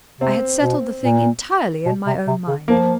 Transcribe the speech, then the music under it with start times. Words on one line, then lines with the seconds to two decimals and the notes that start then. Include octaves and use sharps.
I had settled the thing entirely in my own mind.'
0.21 C3 C4
0.62 B2
1.04 A#2
1.86 B2
2.07 C3
2.27 C3
2.48 C#3
2.68 F3 A#3